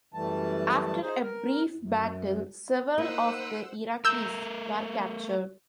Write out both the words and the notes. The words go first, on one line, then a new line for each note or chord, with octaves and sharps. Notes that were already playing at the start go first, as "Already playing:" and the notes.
After a brief battle, several of the Iraqis were captured.
F#2 E3 G3 A3 A5
D#4 G#4 C5
A#4
F#2
A#3 D#4 B4 C5 F#5 E6
A3 A#4 E6 G6